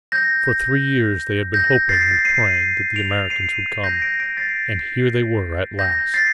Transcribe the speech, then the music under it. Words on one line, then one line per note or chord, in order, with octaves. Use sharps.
For three years they had been hoping and praying that the Americans would come--and here they were at last!
G6 A#6
G6 A#6
A6 C7
C7 D#7
D7 F7
C7 D#7
G6 A#6
A#6 D7
A#6 D7
A6 C7
G6 A#6
A6 C7